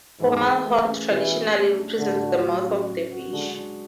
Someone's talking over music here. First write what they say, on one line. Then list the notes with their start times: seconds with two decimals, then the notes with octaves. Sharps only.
Fomalhaut traditionally represents the mouth of the fish.
0.20 G#2 E3
0.42 G#4
0.65 A3
0.87 C#4
1.09 B2 E3
1.32 G#4
1.54 A3
1.77 D4
1.99 A2 D3
2.21 F#4
2.43 F#3
2.66 C#4
2.88 C#3
3.11 F#4
3.32 D3 G#3
3.55 D4